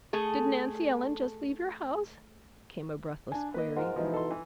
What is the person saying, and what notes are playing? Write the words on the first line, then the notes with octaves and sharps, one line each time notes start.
"Did Nancy Ellen just leave your house?" came a breathless query.
A3 G#4 A4
D4 G#5
A#3 B4 D#5
G#2 F4 A#4 F#5
B2 E3 F3 G#3 D#4 E4
A4 C6
E3